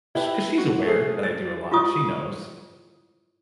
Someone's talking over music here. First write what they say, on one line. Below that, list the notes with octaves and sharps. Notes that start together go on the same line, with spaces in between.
Sh 'Cause she's aware that I do a lot, she knows.
E4 G4 B4 E5 A5
F#4
A3 G#4 C7
A6
E4 F4 C#6 D#6